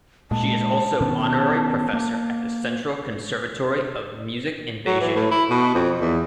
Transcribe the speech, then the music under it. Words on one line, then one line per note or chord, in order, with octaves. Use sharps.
She is also honorary Professor at the Central Conservatory of Music in Beijing.
A#2 G#3 A5
B2 D#3 C#4
A#3
F#3
E3
A2
E4
B2
F2
E2